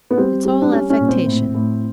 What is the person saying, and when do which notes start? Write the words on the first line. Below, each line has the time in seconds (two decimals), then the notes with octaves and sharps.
It's all affectation.
0.11 B3
0.17 G3 C4
0.45 G3
0.62 D4
0.72 G3 C#4
0.90 C#4
1.00 A#2
1.08 C4
1.26 A2
1.55 A2